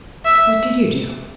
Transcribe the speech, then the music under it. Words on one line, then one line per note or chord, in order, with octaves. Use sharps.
"What did you do?"
E5